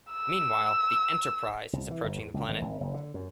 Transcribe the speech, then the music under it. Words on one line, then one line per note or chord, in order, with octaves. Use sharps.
Meanwhile, the "Enterprise" is approaching the planet.
E6
C2
E3
G1
E2
C#2
G#1
G#1
F#1
D3
F#2